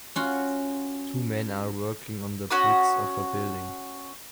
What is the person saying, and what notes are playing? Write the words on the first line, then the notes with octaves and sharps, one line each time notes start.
Two men are working on the bricks of a building.
C#4 F4 F#4
C#4 F#4 D#6